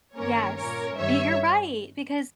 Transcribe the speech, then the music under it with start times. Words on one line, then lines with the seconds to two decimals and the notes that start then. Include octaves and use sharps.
Yes, y you're right, because
0.16 G2 D#3 A#3 C#4 A#4 C#5
0.56 A#2 A#3 C#4 A#4 C#5
0.97 G2 D#3 G3 C#5 E5